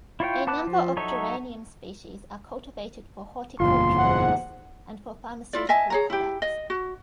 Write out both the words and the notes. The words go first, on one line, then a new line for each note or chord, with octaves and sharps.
A number of geranium species are cultivated for horticultural use and for pharmaceutical products.
E4 F4 C#5 G5
B3 A5 D6 F#6
F3
F#3 D#4 A4 C#5 E5
F#1 E2 A#2 F4 C6
G#2 F#5
E4 F4 D5
D#5 E5 G#5 A5
G#4 C#5 A#5
E4 G4
D#5
F#4